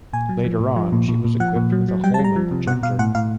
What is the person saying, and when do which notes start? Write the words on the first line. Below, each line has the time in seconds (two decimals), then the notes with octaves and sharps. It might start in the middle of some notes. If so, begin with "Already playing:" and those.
Later on, she was equipped with a Holman Projector.
0.13 A#2 G#5
0.29 F#3
0.44 F3
0.60 A2
0.76 F3
0.92 A#2
1.08 A#2
1.25 A#2
1.40 F3 F#5
1.56 A#2
1.72 F#3
1.88 F#3
2.04 G3 G5
2.14 A5
2.19 G3
2.24 A#5
2.36 F3
2.51 C3
2.67 B2 F#5
2.83 B2 F5
2.99 A2 F#5
3.15 A2 F5